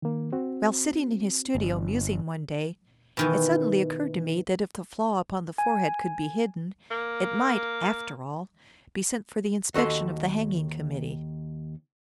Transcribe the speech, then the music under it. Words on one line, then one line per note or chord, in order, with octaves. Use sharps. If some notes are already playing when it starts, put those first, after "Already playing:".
While sitting in his studio musing one day, it suddenly occurred to me that if the flaw upon the forehead could be hidden, it might, after all, be sent for the inspection of the hanging committee.
D#3 A#3
C4 F#4
G1
B2 D#3 E3
G#5
A#3
D#2 F#4 A4 D#5 C6